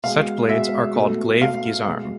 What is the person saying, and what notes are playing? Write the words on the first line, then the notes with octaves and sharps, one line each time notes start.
Such blades are called glaive-guisarmes.
B2 G#3 F5
B2 G#3 E5
B2 A3
B2 A3 F5
B2 G#3